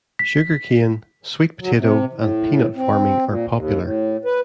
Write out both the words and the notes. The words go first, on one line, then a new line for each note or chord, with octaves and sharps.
Sugar cane, sweet potato, and peanut farming are popular.
B6
F#3
C3
A2
C4
A#2
D#2
A2
B4